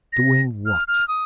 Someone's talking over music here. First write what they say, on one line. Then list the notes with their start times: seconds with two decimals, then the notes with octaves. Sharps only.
"Doing what?"
0.13 A#6
0.66 F6
0.88 F6
1.08 D#6